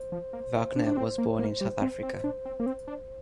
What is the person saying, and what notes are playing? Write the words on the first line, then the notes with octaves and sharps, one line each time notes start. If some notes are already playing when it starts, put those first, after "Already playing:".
Wagner was born in South Africa.
Already playing: C5
F3
A#3
D4
D4
C4
A#3
A#3
G3
C4
C4
D4
C4
A#3
C4
D4